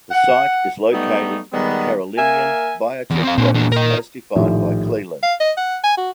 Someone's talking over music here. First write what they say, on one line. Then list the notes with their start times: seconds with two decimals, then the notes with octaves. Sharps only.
The site is located in the Carolinian Biotic Province as defined by Cleland.
0.11 F#5
0.92 F#3 G3 A3 B3 D#4
1.52 D#3 G3 G#3 B3
2.17 A#3 A#4 E5 G#5
3.10 E2
3.23 C4 F5
3.38 A#2 C4 D4
3.54 E2 D4
3.72 A#4 D#5
4.36 A#1 A2 D#3 D#4 G4
5.23 F5
5.40 D#5
5.57 F#5
5.83 G#5
5.97 F#4